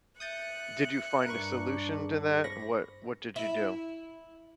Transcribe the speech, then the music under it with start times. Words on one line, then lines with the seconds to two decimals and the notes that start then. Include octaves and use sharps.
did you find a solution to that? What what did you do?
0.20 E5 D#6 F#6 G6 A6 C#7
1.26 G2 D4 A#4 B4 C#6
1.95 G#4
2.44 C5 B5 C#6 A#6
3.36 E4